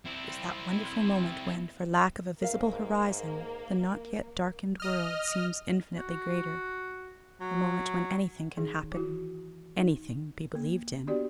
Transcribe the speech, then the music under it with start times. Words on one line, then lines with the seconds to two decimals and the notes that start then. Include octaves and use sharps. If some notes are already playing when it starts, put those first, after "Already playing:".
It was that wonderful moment when, for lack of a visible horizon, the not yet darkened world seems infinitely greater--a moment when anything can happen, anything be believed in.
0.05 C4 E4
2.42 G#2 A#3 A#4 E5 F5
4.80 D#5 F6
5.97 F#4
7.41 F#3
8.57 D#3 D#4 G#4
8.92 E3 E4 F#4
9.77 D#4
10.55 A#3
11.07 B3 D4 F#4 G4 D5